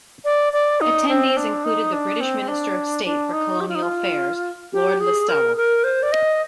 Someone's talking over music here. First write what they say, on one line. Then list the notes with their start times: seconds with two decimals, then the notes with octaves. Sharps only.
Attendees included the British Minister of State for Colonial Affairs, Lord Listowel.
0.25 D5
0.53 D5
0.81 D#4
1.08 C4
1.37 D4
1.64 D#4
1.93 D4
2.21 C4
2.48 D4
3.05 D4
3.33 D#4
3.60 G4
3.68 F4
3.75 D#4
3.83 F4
4.73 G4
5.00 G#4
5.29 A#4
5.56 A#4
5.84 C5
6.03 D5
6.12 D#5